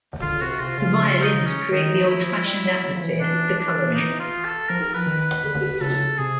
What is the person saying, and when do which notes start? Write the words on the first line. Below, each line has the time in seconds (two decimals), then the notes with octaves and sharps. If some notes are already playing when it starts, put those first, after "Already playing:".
The violins create the old-fashioned atmosphere, the colouring.
0.22 D3 F4
0.41 C3 F#4
0.59 C3 F4
0.78 C#3 F4
0.97 F4
1.21 D#4
1.46 C#4
1.71 D#3 D#4
1.96 F3
2.08 E4
2.22 F3
2.45 G3
2.65 F#3
2.84 F#3
2.96 F3
3.02 E3
3.20 D4
3.58 D4
3.94 D#4
4.20 F4
4.45 A4
4.69 F3 A#4
4.94 B4
5.07 D#3
5.19 B4
5.44 D3 B4
5.81 C#3 A4
6.18 C3 G#4